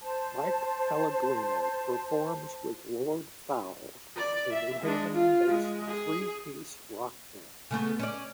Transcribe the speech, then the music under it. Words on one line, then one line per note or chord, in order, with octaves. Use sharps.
Mike Pellegrino performs with Lord Fowl, a New Haven-based three piece rock band.
C5 A5
D5
E5
G#3 D4
F4
G#3
G#4
C#3 A3 B3
C#4 D5